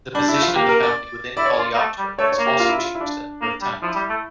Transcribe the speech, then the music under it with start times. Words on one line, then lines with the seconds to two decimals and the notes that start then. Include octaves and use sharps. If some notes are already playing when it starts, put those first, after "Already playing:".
The position of the family within Coleoptera has also changed a number of times.
0.15 G3 D4
0.28 E4
0.35 A3
0.42 F4
0.55 A#3 G4
0.69 A#4
0.83 D5
1.37 E4 D5
1.45 C#5
1.53 F4 D5
1.74 A#3
1.78 A3
1.98 G3
2.19 A3 C#5
2.32 C#5
2.39 A#3
2.46 G4
2.60 F4
2.69 E4
2.78 F4
2.95 E4
3.01 D4
3.41 A#3
3.62 G3
3.82 F3 E4
3.95 G3
4.09 A3